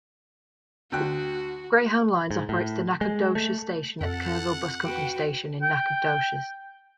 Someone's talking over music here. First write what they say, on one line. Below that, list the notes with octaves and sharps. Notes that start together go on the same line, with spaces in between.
Greyhound Lines operates the Nacogdoches Station at the Kerrville Bus Company station in Nacogdoches.
D2 F#4 G5 F#6
G#2
A2
G#3
A3
F2 A4 F#5
F#4 B4 G5
G5